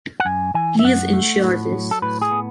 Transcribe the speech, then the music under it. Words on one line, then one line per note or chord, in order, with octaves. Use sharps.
Please insure this.
F#5
F#2 G#5
E3 G#5
E5
F#2 F#5
A3
A2
F#3
A4
A2 B4
G#4
B3